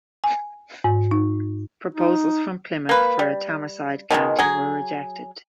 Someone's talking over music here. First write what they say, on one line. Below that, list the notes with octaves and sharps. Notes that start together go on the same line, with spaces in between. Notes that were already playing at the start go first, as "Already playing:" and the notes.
Proposals from Plymouth for a Tamarside county were rejected.
G#5
G#2
D#4
D#4
A#3 B4
G3
B2 D#3 F#3 G#3
F#3 G#4